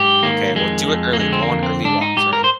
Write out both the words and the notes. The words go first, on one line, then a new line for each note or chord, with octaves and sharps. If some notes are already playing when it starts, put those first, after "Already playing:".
Okay, well, do it early. Go on early walks, right?
Already playing: G#2 G4
D#3 A#3
F2 G#3
F2
A#3
D3 G#3
C4
A#3
F2
C4
G#2 D4
D#4
G#2 G4
A#4
C5